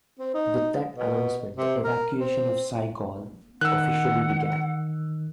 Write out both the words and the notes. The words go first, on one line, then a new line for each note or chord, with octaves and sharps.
With that announcement the evacuation of Saigon officially began.
C4
D#4
B2
C3
A#4
C4
D#3 F#5 E6 F#6